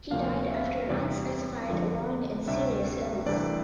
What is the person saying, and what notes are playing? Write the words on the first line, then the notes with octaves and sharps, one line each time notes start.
He died after an unspecified long and serious illness.
D2 C3 F3 A#3 D4 F5
E5
E2 C3 G3 D5
F2 D3 F3
D2 C3 G3 D4 E5
C2 C3 E3 A3 D4 D5